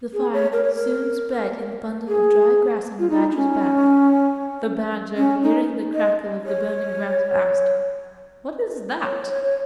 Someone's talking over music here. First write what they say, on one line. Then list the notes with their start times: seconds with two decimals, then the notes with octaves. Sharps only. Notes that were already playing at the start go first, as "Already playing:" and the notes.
The fire soon spread in the bundle of dry grass on the badger's back. The badger, hearing the crackle of the burning grass, asked, "What is that?"
0.13 G#4
0.34 C#5
0.52 A#4
0.64 C#5
0.74 A#4
2.08 G#4
2.99 F4
3.10 D#4
3.31 D#4
3.36 C#4
5.17 C#4
5.43 D#4
5.94 D#5
6.46 C#5
9.04 C#5
9.30 C#5
9.44 C#5